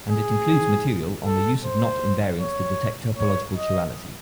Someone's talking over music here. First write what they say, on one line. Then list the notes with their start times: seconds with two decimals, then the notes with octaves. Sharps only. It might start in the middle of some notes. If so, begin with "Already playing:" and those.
And it includes material on the use of knot invariants to detect topological chirality.
0.10 G#4
1.25 A4
1.65 C5
2.40 C#5
3.17 C#5
3.56 D#5